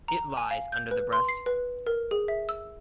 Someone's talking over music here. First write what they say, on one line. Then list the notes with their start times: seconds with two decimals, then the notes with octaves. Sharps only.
It lies under the breast.
0.08 A#5
0.37 G#5
0.51 F5
0.72 G6
0.91 B4
1.13 C6
1.29 C7
1.46 B4
1.86 A#4
2.11 G#4
2.28 E5
2.49 E6